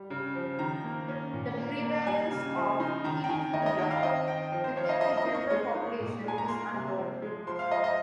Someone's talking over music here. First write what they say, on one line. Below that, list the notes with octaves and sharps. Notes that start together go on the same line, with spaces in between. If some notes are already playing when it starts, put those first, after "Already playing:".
The prevalence of hebephilia within the general population is unknown.
Already playing: G3
C#3
F3
D#3 A#5
A#3
C#4
A#2
A#3
A#3
G3 G#5
C#3
F3
D#4
D#3 A#5
G5
D#3 G#5
D#3 D#5
C#5
D#5
D#3 G5
F5
C4 D#5
C4 G5
F3
C5
F3 C#5
F5
D#5
C4 D#5
D#5
D#4
C#6
G#3 C#6
D#4
A#2
G#3 G#5
A#5
A#3 C6
C3
F3
G#3
F3 C6
F5
F3 D#5
D#5